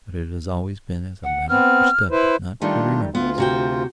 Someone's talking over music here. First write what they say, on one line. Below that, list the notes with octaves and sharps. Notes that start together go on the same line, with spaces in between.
But it has always been as a matter for study, not for remembrance.
F#5
B3 C4 F6
E4 B4 C5
D#3 G3 A3 D4 F4
D2 B3 F4
C3 F#4 G5